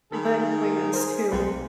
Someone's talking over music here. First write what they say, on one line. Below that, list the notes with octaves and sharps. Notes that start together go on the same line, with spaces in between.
vet appointments to
D#3 G#4 A4 B5
A#4 C5 G#5
B1 C3 F4 B4